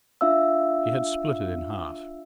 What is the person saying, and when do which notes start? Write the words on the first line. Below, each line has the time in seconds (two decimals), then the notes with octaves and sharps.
He had split it in half.
0.21 D4 F4 E5 F5 E6